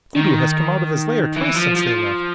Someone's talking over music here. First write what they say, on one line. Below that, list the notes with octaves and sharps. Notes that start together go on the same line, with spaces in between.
"Kudu has come out of his lair twice since they left."
D#3
E3
F3
F3